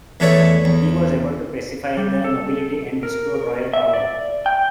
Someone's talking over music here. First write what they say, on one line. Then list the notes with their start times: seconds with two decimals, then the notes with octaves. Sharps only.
He was able to pacify the nobility and restore royal power.
0.20 E2 E3 A3 C#5 D5 E5
0.65 E2
1.97 G3
2.24 A4
3.03 A#4
3.74 E5
3.94 D5
4.46 G5